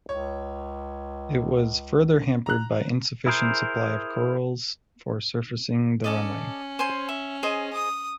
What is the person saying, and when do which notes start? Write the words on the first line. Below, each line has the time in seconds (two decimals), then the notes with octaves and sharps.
It was further hampered by insufficient supply of corals for surfacing the runway.
0.09 C#2 C#5
2.46 A#5 F#6
3.26 E4 G#4 A#4 C5
6.04 C#4 A4 D5 D#5
6.79 C5 G#5 C6
7.09 E5
7.43 G#4 C5 D#5
7.73 D#6